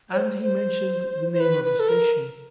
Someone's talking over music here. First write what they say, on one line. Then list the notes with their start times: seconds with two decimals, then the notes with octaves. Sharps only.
And he mentioned the name of a station.
0.13 C#5
0.17 C5
0.42 C5
1.33 C5
1.40 B4
1.64 B4
1.80 A4
1.88 A#4